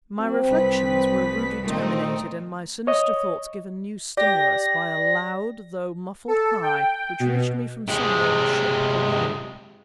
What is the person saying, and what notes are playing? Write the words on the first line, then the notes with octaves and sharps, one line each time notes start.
My reflections were rudely terminated and my sinister thoughts given new stimulus, by a loud though muffled cry which reached me from somewhere in the ship, below.
F#3 C4
C2 B4 B6
A#2 D3 D#3 A3 C4 D#4
C#5 D#5
G4 D5 A#6
A4
G5
B2
C3 G#3